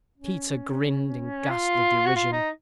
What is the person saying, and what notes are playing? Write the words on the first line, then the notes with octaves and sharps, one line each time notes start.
Peter grinned in ghastly derision.
C#4
F4
F#4
F4
D#4